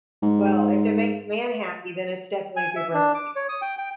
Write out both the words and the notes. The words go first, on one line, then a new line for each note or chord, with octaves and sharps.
Well, if it makes a man happy, then it's definitely a good recipe.
G#2
G#5
E5
D4
D6
C#5
D#6
G5
G5